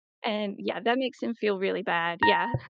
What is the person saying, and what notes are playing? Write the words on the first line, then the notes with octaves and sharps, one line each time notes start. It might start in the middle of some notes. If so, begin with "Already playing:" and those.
and yeah, that makes him feel really bad, yeah.
A#5